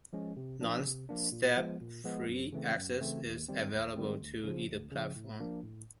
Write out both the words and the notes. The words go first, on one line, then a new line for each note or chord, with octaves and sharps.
No step-free access is available to either platform.
F3 G#3 C#4
C3
F3 A#3 D4
C3
F3 A#3 D4
A#2
F3 G#3 B3
A#2
F3 G#3 B3
F#2
C#3 E3 A3 C4
F#2
C#3 E3 A3 C4
D#2
D#3 G3 C4
D#2
D#3 G3 C4
D2
C#3 F3
D2
C#3 F3
A2
F3 A#3 D4
A2